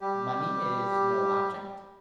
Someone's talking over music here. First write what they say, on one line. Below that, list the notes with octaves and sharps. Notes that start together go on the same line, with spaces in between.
"Money is no object?"
G3 G4